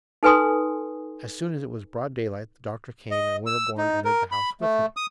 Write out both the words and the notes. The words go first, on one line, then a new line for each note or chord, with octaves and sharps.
As soon as it was broad daylight the doctor came, and Winterborne entered the house with him.
D#4 A4 B4 G#5 C6 D#6
D#5
E6
D#4
A#4
B5
A3
D#6